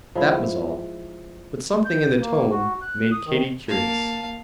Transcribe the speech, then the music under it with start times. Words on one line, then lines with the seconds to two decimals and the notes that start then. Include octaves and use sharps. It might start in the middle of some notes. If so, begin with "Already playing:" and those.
That was all; but something in the tone made Katy curious.
0.15 F3 G#3 E4
1.85 G6
2.21 A#3
2.51 F#4
2.82 F#6
3.12 D#6
3.26 D#3
3.69 A#3 F5 A5